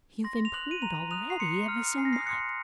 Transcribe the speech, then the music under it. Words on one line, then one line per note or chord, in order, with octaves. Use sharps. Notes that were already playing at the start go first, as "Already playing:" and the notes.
You've improved already, ever so much.
C6 A#6
F7
F#6 F#7
D#7
A#5 F7
D#6 F#6 F7
C7
C6 C#7
F6
G#5 C7
A#6
C7
C6 D#6 F#6 C#7